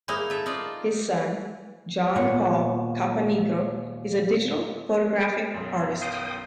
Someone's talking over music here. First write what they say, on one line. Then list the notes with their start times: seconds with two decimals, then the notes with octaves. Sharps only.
His son, John Paul Caponigro, is a digital photographic artist.
0.08 G#3 A#3 D#4 E4
0.30 A4 E5
0.46 D#4 F4 D5
2.16 D#2 A#2 B3 C#5 F#5
5.54 B1 F#2
6.02 F5 G5 D#6